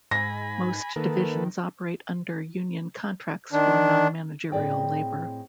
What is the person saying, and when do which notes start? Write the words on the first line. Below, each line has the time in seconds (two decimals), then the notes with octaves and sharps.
Most divisions operate under union contracts for non-managerial labor.
0.11 G#2 G#5 B5 A#6
0.96 D#3 A#3 A4 B4
3.53 D#3 D4
4.52 A2 C4 G#4 D5 D#5 G5